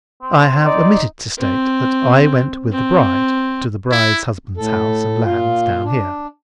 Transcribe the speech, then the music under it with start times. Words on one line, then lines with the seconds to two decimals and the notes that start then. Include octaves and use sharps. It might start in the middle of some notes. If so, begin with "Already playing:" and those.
I have omitted to state that I went with the bride to the bride's husband's house and lands down here.
0.22 C4
0.66 D#4 D5
1.38 C4
2.72 C4
3.92 E4
4.57 A2 A4
5.25 A#2 F4
5.84 D4